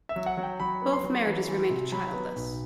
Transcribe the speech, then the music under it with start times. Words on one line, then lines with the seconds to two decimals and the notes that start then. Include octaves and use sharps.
Both marriages remained childless.
0.09 E5
0.16 F#3
0.26 F#5
0.37 F#3
0.43 G5
0.60 F#3 B5
0.82 B3
0.93 C6
1.04 F#3
1.26 E3
1.48 E3
1.70 C3
1.92 F#3 B5
2.14 B3
2.36 B1